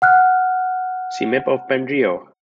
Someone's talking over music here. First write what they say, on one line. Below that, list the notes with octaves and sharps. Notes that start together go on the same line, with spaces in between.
See map of Bengeo.
F#5 F6 F#6